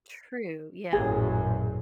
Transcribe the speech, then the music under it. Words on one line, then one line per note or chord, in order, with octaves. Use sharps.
True, yeah.
A1 F#2 A#2 G#4